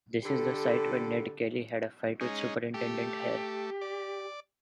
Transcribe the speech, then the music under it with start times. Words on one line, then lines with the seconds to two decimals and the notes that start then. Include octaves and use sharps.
This is the site where Ned Kelly had a fight with Superintendent Hare.
0.24 D3 G4 A4 B5
2.21 G#3 C#4 D#4
2.74 A3 G4
3.81 D5